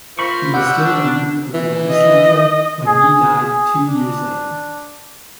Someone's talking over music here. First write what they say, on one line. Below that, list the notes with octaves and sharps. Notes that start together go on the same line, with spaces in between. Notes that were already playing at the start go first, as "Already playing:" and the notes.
He was still a member of the legislature when he died two years later.
F4 A#4 C5 B5 C#6
G3 D5 F#5 E6 G6
D4
E3
D#5
G#4
G#4
D4